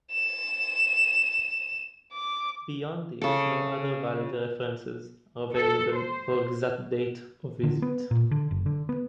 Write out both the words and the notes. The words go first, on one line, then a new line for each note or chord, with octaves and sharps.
Beyond this no other valid references are available for exact date of visit.
E7
D6
C#3 A4
A4
C5
D3
B3
A#2
D3
F#1
D3
B3